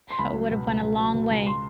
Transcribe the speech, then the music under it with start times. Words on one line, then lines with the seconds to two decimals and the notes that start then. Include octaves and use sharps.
That would've went a long way.
0.10 C6
0.19 C#2 B5
0.35 F#3
0.51 B2
0.66 C#2
0.83 C#2
0.99 F#3
1.15 B2
1.30 C#2
1.47 C6